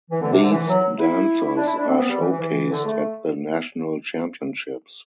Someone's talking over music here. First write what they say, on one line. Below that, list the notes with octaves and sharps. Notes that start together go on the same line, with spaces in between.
These dancers are showcased at the National Championships.
E3
D3
C3
D3
E3
F#3
E4
E4
D4
E4
D4
C4
B3
G3
E3
E3
E3
D3
A3